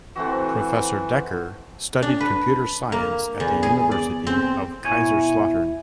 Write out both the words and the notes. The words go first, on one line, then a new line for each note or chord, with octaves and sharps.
Professor Decker studied Computer Science at the University of Kaiserslautern.
E3 A3 C4 F#4
D4
B4
A#3
E2
G#4
D5
C4
B2 E4 C#5 G#5